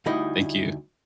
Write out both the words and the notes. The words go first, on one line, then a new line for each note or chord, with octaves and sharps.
Thank you.
D2 G3 D#4 E4 D#5